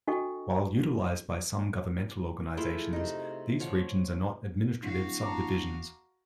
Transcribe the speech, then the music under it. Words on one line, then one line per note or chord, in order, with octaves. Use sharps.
While utilised by some governmental organizations, these regions are not administrative subdivisions.
D4 F#4 A4 D#5 G5 C#6
A3 E4 F4 G#4
C3 D#4
F3 C#5 F#5
D1 F#4 F5
A5 A#5 D6